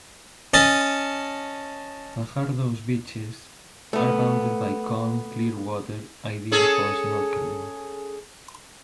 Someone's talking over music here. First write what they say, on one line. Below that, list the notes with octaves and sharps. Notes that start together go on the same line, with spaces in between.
Fajardo's beaches are bounded by calm, clear water ideal for snorkeling.
C#4 D#5 A5
A3 B3
C#4 G#4 A4